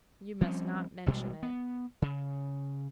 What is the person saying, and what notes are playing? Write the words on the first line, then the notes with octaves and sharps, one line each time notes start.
You must not mention it.
F3 G3 C4 C#4
A1 B2 G3 G#3
B3
C#3